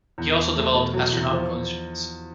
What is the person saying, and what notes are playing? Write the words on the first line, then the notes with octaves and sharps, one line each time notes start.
He also developed astronomical instruments.
E2
E2
A3
B2
F#3
E2
F3